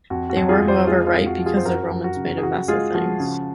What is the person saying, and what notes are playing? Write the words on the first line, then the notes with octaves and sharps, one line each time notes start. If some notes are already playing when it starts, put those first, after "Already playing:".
They were however right, because the Romans made a mess of things.
F2 F#4
F#4
F2
F4 G#4
F2
G#4 C5
G#3 F4 G#4
F4
F2
F#4
F3
F4 G#4
C5
F#2 F#4 A#4
F#3
F#4
C#3
G#4
C#3 F#4
G#3 F4 G#4
F3 F#4
C#3